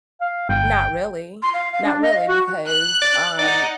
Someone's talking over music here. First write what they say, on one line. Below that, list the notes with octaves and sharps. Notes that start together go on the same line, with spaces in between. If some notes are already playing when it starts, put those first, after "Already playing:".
not really. Not really, because, um
F5
G1 G5
C6
F5
F5
D4
D#5
F5
F#4
F#6
D5
D#4 D5 D#5 F#5